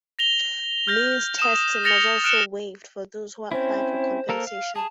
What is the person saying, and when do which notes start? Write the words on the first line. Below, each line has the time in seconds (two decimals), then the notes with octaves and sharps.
Means testing was also waived for those who apply for compensation.
0.19 A#6 F7 G7
0.87 F6 G6 A#6 G7
1.39 D#6 D#7 E7
1.84 F6 A6 A#6 C#7 F7 G7
2.24 F6 F#6 C#7 D7 E7 G7
3.51 C4 C#4 E4 C5
4.29 A#3 A4 A#4
4.47 F5
4.76 G#4 A5